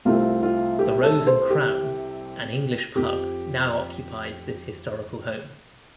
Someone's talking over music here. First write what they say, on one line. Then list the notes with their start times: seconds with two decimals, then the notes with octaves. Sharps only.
The Rose and Crown, an English Pub, now occupies this historical home.
0.05 C2 C3 A3 C4 F4
0.42 F4
0.79 G4
1.03 A4
1.27 C5
1.50 G4
2.96 F2 F3 C4 G4